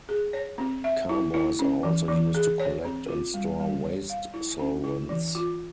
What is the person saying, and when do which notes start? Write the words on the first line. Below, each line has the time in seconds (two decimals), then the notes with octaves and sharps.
Carboys are also used to collect and store waste solvents.
0.09 G#4
0.33 C#5
0.58 C4
0.84 E5
1.09 E4
1.34 E4
1.59 C#4
1.83 E3
2.08 E3
2.35 G#4
2.60 C#5
2.85 C4
3.08 F4
3.34 G3
3.59 G3
3.84 C#5
4.10 F5
4.34 E4
4.60 C#4
4.84 E4
5.09 E3
5.35 F4